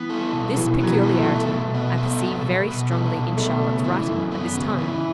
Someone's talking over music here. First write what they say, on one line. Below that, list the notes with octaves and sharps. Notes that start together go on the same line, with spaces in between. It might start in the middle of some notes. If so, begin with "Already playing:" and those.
This peculiarity I perceive very strongly in Charlotte's writings at this time.
Already playing: E3 B3
A4
B2
B2 E3
F#3 B3
E3
A4
F#3
A3
B2
B2
B3
A4
B2
B2
B3
A4
B2
A3 B3
C#3
E3
F#2
B3
C#3
E3